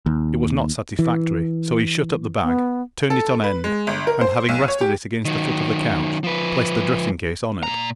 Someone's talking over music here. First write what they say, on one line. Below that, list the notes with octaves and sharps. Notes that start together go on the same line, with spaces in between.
It was not satisfactory, so he shut up the bag, turned it on end, and, having rested it against the foot of the couch, placed the dressing-case on it.
D#2
E3
B3
A4
B4
G#3
G1
A#4
C5
B1
C#5
G4
D#3 F#3
F3 B4
A#2 A#5